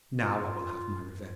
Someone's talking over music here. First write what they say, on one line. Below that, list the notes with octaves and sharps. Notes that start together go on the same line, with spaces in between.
Now I will have my revenge.'
F4